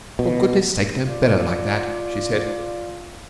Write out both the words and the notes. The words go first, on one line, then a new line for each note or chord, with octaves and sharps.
'For goodness' sake don't bellow like that!' she said.
B2
F4 D5